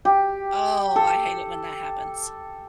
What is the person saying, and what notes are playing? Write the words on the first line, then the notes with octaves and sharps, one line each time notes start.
Oh, I hate it when that happens.
G4
A4